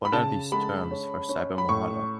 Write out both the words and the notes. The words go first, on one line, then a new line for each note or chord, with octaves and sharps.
What are these 'terms' for Cybermohalla?
B5
C#3 A5
G#3 B5
C#4
C#4
B5
A2 C#6